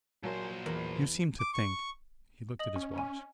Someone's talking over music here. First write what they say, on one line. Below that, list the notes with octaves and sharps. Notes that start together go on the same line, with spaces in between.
"You seem to think--" He looked at his watch.
A#2 F#3 A#4 C5 G#5 A5
E2 A#4
D6
C#6
D#5 D#6 F#7
C#4
G#5